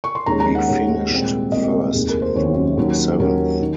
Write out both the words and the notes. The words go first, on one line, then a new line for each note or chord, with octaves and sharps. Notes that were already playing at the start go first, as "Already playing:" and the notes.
We finished first through seventh.
C#6
C6
D#2 D#3 G#3 C#4 A#5
A#5
F#5
D#2 D#3 G#3 C#4
C2 A#2 G#3 C4
C2 A#2 G#3 C4 D#5
F1 D#2 D#3 G#4
A#4
C5
F1 D#2 D#3 C#5
D#2 D#3 F#3 C#4
D#2 D#3 F#3 C#4 A#4
D#3